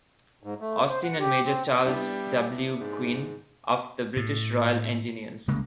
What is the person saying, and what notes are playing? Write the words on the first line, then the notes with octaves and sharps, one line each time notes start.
Austin and Major Charles W. Gwynn of the British Royal Engineers.
G#2
A3
C5
F#5
G4
C4
G3 B3 D4 E4
G#2
A2
C2 C#3 G#3 A#3